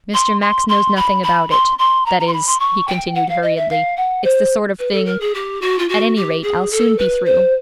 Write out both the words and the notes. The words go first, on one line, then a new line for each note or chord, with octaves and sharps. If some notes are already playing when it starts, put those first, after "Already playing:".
'Mr. Max knows nothing about it--that is,' he continued hurriedly, 'it's the sort of thing-- At any rate, I'll soon be through.'
C6
C6
C6
B5
B5
C6
C6
A#5
A#5
C6
B5
C6
C#6
G5
F#5
F5
D#5
E5
F5
F#5
C5
B4
A4
A#4
G#4
G4
F#4
F4
F#4
G4
G#4
A4
B4
C5